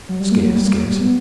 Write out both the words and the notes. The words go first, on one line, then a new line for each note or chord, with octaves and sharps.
Scarce, scarce!'
F#3
G3
A#3
F#3
G3
A#3
F#3
G3
B3